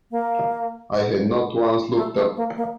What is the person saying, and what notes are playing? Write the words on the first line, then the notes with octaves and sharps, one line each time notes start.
I had not once looked up.
A#3
A3
A3
A#3
A#3